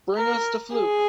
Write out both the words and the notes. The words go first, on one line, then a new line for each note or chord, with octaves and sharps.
Bring us the flute!
A#4
G#4